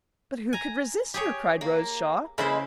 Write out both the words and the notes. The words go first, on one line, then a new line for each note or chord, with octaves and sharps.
"But who could resist her?" cried Rose Shaw.
G#5 A#5
G4 G#4 C#5
A#3
C#3 G#3 A#3 E4 B4 C5